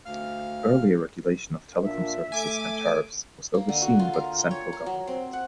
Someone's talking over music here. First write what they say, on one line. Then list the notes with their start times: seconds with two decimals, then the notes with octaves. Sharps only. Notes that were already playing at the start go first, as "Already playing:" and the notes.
Earlier regulation of telecom services and tariffs was overseen by the Central Government.
0.05 D2 F5 F6
1.83 A#2 D4 E5
2.32 A3 G#5 D6
3.54 A#3
3.69 D3
3.82 F#4
3.99 F4
4.13 A#4
4.39 G5
4.51 C#5
4.73 A#4
4.86 F#3
5.07 C4
5.33 F#5